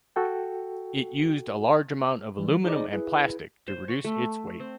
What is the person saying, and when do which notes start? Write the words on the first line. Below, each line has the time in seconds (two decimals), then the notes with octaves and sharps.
It used a large amount of aluminum and plastic to reduce its weight.
0.16 F#4 A4 G5
2.39 E3 G3
2.65 D#4 G#4 C5 D5 D#5 D6
2.92 E4 G#4 B4
3.68 C5
3.88 C#6
4.04 A3
4.60 C4